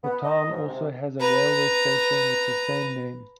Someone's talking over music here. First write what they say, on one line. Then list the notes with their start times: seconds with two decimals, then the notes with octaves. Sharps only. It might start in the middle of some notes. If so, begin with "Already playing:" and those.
The town also has a railway station with the same name.
0.03 B3
0.24 D#5
0.51 G#2
0.68 C3
1.20 B4 A#5